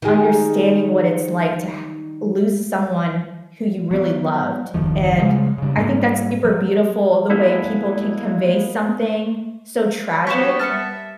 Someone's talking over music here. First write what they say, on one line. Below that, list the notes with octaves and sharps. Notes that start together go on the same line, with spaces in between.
understanding what it's like to ha lose someone who you really loved, and I think that's super beautiful the way people can convey something so tragic
D#3 G3 G#4
F#3 B3
F#1 D#2 D#3 F3
C#3 G3 G#3
G2 C#3
G#2 G3 A3 A#3
F#3
G#3 A#3 B3 E4 A4
F#3 A#3 B3 F#4 G4 C#5 B6 E7
G3 E5 A5 F6 A6 C#7